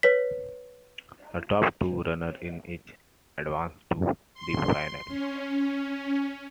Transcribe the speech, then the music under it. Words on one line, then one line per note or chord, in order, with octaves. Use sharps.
The top two runners in each advanced to the final.
B4 C#5 B6
C6
C#4